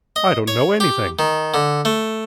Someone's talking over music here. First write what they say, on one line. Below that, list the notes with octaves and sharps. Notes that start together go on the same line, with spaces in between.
I don't know anything.
D#5
C#5
G4
D#3
D3
A3